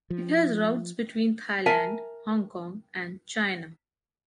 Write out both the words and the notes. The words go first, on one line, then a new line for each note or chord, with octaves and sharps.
It has routes between Thailand, Hong Kong, and China.
F3
A#4 E5 G#5 A5